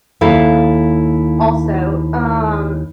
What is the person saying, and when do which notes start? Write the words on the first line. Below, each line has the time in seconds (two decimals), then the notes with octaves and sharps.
Also, um,
0.21 D#2 E4 A4 F5